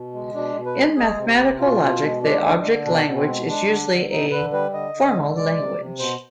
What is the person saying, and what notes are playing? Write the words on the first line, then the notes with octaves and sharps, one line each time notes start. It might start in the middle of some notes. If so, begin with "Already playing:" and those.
In mathematical logic, the object language is usually a formal language.
Already playing: B2
G#3
B2 D4
B2
B4
G#3
G#3 G#4
C3
G4
C3
B2 F4
B2
G#3
G#3 D4
D3
D3
B2 D4
B2
C4
G#3
G#3 D4
D3
D3
D3 D#4
D3 B4
G3 B4
D3 D#5
D3
G#3
G#3 D5
C3
C3
B2 C5